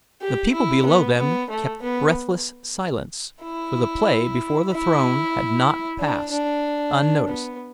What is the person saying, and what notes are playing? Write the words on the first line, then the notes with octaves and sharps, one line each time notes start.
The people below them kept breathless silence for the play before the throne had not passed unnoticed.
G4
E4
B3
B3
A3
B3
E4
E4
D4
D4
B3